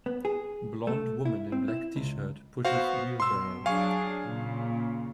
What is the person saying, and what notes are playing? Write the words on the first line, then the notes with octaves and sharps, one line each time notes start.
Blond woman in black tshirt pushes wheelbarrow.
B3
G#4
A3
E4
C4
E4
C#2
B3 F#4 C5 F5
B2 C6 E6
F#3 D4 G#4 F5 G#5 C#6
A#2 C#3